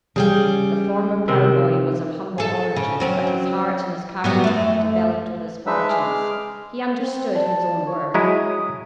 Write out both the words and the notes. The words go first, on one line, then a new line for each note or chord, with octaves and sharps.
The former ploughboy was of humble origin, but his heart and his character had developed with his fortunes; he understood his own worth.
C#3 G3 G#4 G5
C3 D#3 C4
G#4 A4
C#3
F#3 C4 C#4
F#3 G3 B3
F#2 A3
G#3 D4 D#4 B4 E5 E6
G#3 G#4 D6 F6
C4
D5 A5
C#5
F#3 G#3 E4 A#5 D#6